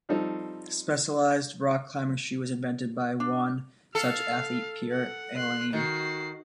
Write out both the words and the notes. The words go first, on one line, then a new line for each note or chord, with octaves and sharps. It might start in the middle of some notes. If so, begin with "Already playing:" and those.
The specialized rock climbing shoe was invented by one such athlete, Pierre Allain.
F3 G3 C4 D#4 A4
D4
A4 F5
F#5
C6 F#6
D#3 F#4 C7